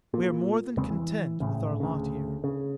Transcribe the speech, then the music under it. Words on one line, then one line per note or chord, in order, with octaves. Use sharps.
We are more than content with our lot here.
A#2
E2 C#3 G#3 C4
E3
G#1 D2 A2 C#3
D2 C#3
C#3